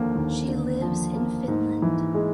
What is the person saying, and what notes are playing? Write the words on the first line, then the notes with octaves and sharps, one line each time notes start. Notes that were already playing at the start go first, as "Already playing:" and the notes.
She lives in Finland.
Already playing: D#2 D3 F3 A#3
D#2
D3
F3
A#3
G#2
E3
G#3